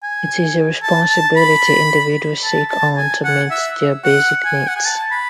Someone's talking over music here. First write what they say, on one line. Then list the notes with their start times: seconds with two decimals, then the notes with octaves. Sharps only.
It is a responsibility individuals take on to meet their basic needs.
0.03 G#5
0.83 A5
1.10 A5
1.36 B5
2.44 A5
2.70 A5
2.97 G#5
3.24 F#5
3.51 E5
4.04 F#5
4.45 G#5
4.68 F#5
4.76 G#5
4.85 A5
5.11 B5